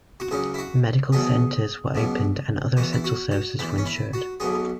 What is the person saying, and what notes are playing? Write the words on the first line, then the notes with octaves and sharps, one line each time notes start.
Medical centres were opened and other essential services were ensured.
F#4
C#2 C#3 F#3 G#4
E4
F#4
E2 B2 F#3 G#4
C#2 B2 F#3
E2 E3 F#4
E4
F#4
F#4
E2 E3 E4
C#4
E4
F#4
B1 B2 F#3 G#4